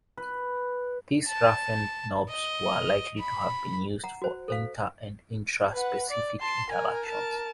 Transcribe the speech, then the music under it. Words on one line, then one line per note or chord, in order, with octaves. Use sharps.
These roughened knobs were likely to have been used for inter- and intra-specific interactions.
B4
A5
D#5
B5
F#5 A#5
F#4 C5
A4 C5 F5
B4 F#5
D5
A5 C6
A#4 G#5
A#4 A5